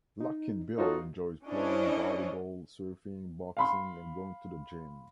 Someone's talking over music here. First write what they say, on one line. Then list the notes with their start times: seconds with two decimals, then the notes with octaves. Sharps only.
Luckinbill enjoys playing volleyball, surfing, boxing and going to the gym.
0.21 D#4
0.78 D#4 F4 F#4 A4 C#5
1.46 C#4 D4 E4 C5 C#5 D#5
3.57 F5 B5 C6